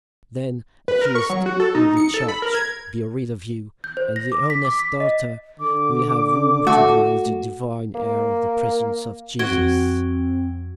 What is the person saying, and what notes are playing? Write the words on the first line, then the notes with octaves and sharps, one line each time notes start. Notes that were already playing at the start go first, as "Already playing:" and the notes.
Then at least will the church be rid of you, and the honest doubter will have room to breathe the divine air of the presence of Jesus.
B4
A#4
C#6
F#3
F#4
A4
D#4
C#7
A4
B5
A#4
G#6
G6
C5
A#6
D6
B6
D6
B6
D#5
D3 D6
A3 F#4
A#3
C4 F#4 G#6 D7 G7
F2